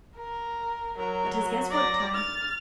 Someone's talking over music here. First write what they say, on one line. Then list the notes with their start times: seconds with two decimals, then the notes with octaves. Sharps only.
"But 'tis guesswork time."
0.16 A#4
0.99 F#3 A#4
1.71 D5 A#6
2.14 F6 A6